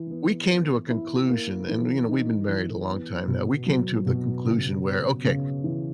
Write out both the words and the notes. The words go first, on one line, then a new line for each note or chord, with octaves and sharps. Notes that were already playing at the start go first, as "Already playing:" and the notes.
we came to a conclusion, and, you know, we've been married a long time now. We came to the conclusion where, "Okay,
Already playing: E3
B3
B3
E4
A#3
E3
D#4
E3
B3
B2
F#3
B2
C#3
B3
C#3
E3